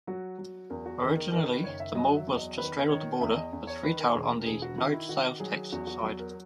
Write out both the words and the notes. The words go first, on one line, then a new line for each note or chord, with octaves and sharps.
Originally, the mall was to straddle the border, with retail on the no-sales-tax side.
F#3 F#4
F#3
E2 A#4
F#4
D#3 G#4
A#4
D#3 A#4
B4
F#1 C#5
E5
F#3 D#5
E5
E2
D#5
D#3 B4
D#3 C#5
E2 E5
D#5
E2
C#5
D#3 B4
A#4
E1 G#4
A#4
A#4
E1 G#4
F#4
D#3 F#4
E4
D#3 F#4
F#3 G#4
E2 F#4
F#4
F#3 F#4
A#4